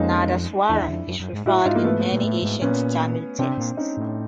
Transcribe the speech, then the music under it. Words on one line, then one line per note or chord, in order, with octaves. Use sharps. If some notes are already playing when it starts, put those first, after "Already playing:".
Nadaswaram is referred in many ancient Tamil texts.
Already playing: F2 G#3 A#3 C#4 D#4
E2 D4 E4
E2
F2
F#2
F#2
G#2
A2 E4 F#4
G#2 D#4 F4
A#3
A3 B3
A#2
A2
G#2
A#2 B3 C#4
C3 C4 D4
A#2
C#4 D#4
A2